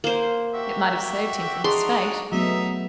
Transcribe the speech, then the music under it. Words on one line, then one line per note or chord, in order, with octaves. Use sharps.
"It might have saved him from his fate."
A#3 C5
F#4 G4 E5
D4 D#4 F#4 G#4 C6
F#3 A3 B3 D#4 E5